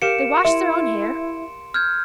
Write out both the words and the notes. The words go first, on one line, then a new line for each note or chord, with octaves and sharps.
They washed their own hair.
G4 A#4 F5 C#7 D7 E7
E4 E5 C6
F6 G6 G#6